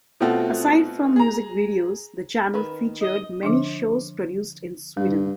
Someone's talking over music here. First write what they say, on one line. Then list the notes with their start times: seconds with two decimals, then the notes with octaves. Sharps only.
Aside from music videos the channel featured many shows produced in Sweden.
0.20 B2 A3 C4 F4 F#4 A4
1.16 G#4 A#5
2.54 D#3 B4
3.02 D#5
3.43 D3 F3 D4
4.97 G2 G3